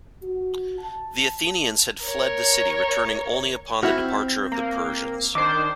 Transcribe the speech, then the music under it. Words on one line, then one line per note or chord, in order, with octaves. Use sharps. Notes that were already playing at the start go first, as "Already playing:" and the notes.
The Athenians had fled the city, returning only upon the departure of the Persians.
F#4
A5
A#4 C#5
C4 E4 F#4 F6
A#3
D#3 D4 C5 D6